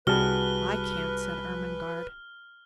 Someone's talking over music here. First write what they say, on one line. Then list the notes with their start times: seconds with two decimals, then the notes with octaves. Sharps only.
"I can't," said Ermengarde.
0.07 C2 G3 F#4 G#4 B4 A5 F6 G7